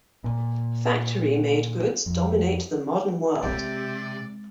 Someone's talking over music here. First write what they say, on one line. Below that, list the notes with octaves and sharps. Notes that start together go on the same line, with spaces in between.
Factory-made goods dominate the modern world.
A#2
F2
C3 G#3 C4 G4 D5